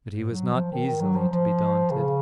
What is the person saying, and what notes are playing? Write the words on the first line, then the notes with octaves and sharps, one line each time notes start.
But he was not easily to be daunted.
G#2
F#3
F3
D#3
D#3
F#3
F3
F3
C#3